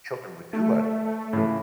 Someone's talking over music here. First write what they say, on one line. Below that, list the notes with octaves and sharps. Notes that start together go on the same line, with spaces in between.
children would do, I'd
A3
A2 C#3 E3